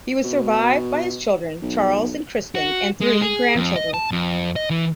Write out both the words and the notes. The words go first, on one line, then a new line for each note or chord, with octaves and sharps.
He was survived by his children, Charles and Kristin, and three grandchildren.
B2
B1
F#4
G#3
G#4
F2
D#5
A5
F2
D#5
E3